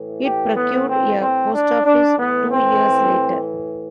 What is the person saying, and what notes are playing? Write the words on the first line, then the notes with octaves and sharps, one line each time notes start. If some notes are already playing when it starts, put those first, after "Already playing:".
It procured a post office two years later.
Already playing: A2 E3
G4
B3
C4
C4
D4
D4
A2 E3 B3
C4